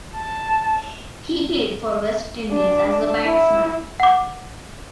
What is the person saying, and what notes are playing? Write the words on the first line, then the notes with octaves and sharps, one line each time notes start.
He played for West Indies as a batsman.
A5
D4
E4
F#5 D6